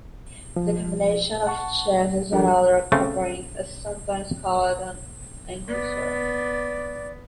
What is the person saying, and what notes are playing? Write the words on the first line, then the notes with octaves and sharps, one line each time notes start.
The combination of chassis and outer covering is sometimes called an enclosure.
F3
F#5 A5 C#6
F3 G3 D4 G4 A4 A#4
C#3 A3 C4
B3 D5